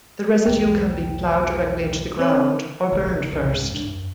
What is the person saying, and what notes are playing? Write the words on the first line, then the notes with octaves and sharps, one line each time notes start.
The residue can be ploughed directly into the ground, or burned first.
B1 E2 A3 G5
C4 C#5
E1 B1 D#3 E3
D1 E2 D3
B1 F2 A#2 E3
C2 G#2
E2 D4
F#2